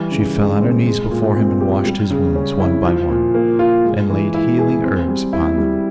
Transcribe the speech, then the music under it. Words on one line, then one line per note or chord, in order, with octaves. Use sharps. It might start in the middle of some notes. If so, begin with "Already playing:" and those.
She fell on her knees before him and washed his wounds one by one, and laid healing herbs upon them.
Already playing: E3 G3
C#3
G#3
C4
G#3
A#2
C4
G4
G3
C#3
C#4
E4
F3
A#2
A#3
F4
G#3
E3
E4
G#4
C4
G3
E4
G3